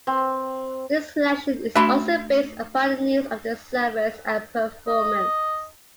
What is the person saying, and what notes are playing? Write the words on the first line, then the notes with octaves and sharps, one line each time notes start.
This selection is also based upon the needs of the service and performance.
C4
A3 D4 F#4 E5 B5 C6
D#5